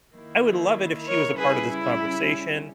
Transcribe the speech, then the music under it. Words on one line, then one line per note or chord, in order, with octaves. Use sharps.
I would love it if she was a part of this conversation,
D#3 A#3 E4
A#4 C#5
C#3 G3 C#4 E4 G#4 B4
E4